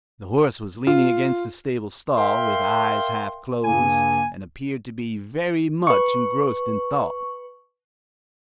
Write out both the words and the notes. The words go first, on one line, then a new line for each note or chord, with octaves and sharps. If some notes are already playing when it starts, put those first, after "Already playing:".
The horse was leaning against the stable stall, with eyes half closed, and appeared to be very much engrossed in thought.
F4
A#4 E5 F5 G5 C6
G2 C#3 A#3 G#5
B4 C#6